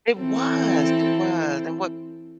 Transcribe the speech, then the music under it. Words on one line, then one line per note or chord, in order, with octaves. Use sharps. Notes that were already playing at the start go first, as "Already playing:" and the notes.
It was! It was, and what
E3 C4 A4